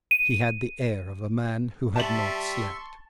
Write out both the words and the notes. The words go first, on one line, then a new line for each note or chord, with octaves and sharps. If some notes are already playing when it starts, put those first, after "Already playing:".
He had the air of a man who had not slept.
D#7
G3 E5 A5 C6 C#6 F#7